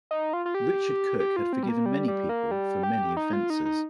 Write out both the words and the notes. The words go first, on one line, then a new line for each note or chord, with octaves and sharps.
Richard Cook had forgiven many people for many offenses.
D#4
F4
F4
G4
G4
F4
C4
G3
A#3
G3
G3
A#3
G3
G4
D#4
F4
D#4
D#4